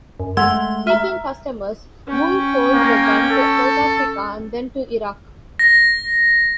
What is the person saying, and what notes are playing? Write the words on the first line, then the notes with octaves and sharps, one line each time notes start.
Seeking customers, Bull sold the gun to South Africa and then to Iraq.
F#2
G#3 A3 F#5 C6 E6 G#6
E5 A#5 F6
C#4 G5
A#3
A4
A#6